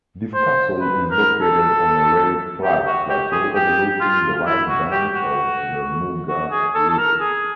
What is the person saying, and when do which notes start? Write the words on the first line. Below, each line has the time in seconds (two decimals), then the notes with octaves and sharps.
This castle is located on a raised plateau overlooking the right bank of the Muga River.
0.34 C5
0.81 B4
1.11 A#4
1.41 A4
2.63 G4
2.86 F#4
3.09 G4
3.32 G#4
3.55 G4
4.01 F4
4.46 E4
4.68 F#4
4.91 G4
5.14 F#4
6.29 F#4
6.51 G#4
6.75 A4
6.89 A4
6.98 A#4
7.20 G#4